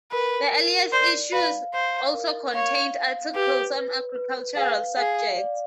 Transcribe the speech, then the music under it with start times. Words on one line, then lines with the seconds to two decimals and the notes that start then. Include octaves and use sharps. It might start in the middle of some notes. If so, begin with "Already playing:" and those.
The earliest issues also contained articles on agricultural subjects.
0.12 A#4 B4
0.52 A#4
0.92 C5 D5
1.33 B4 F5
1.74 C5 F5
2.14 A#4
2.54 C#5 F5
2.95 F5
3.35 G4 B4
3.75 B4
4.15 B4
4.56 G#4 F5
4.96 G#4 F5
5.37 D5